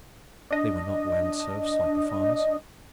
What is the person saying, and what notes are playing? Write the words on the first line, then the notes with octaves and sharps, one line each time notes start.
They were not land serfs like the farmers.
D4 D#5